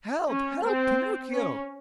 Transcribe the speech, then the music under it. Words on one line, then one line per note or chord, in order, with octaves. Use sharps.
"Help, help, Pinocchio!"
C#4
C4
C#4